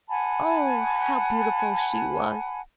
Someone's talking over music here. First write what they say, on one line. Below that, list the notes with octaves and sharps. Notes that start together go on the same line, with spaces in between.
Oh, how beautiful she was!
F#5 G#5 A5 B5